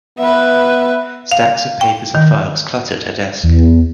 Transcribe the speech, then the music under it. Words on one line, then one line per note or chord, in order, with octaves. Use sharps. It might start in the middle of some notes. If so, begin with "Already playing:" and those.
Stacks of papers and files cluttered her desk.
B3 B4 E5
F5
G5
D#3
E2